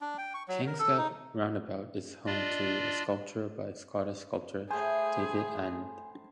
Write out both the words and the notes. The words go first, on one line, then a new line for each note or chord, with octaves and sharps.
Kings Gap roundabout is home to a sculpture by Scottish sculptor David Annand.
D4
G5
C#6
F#3
A#4
A4
D#4
D4 F4 D5 D#5
A2 G#4 C5 G#5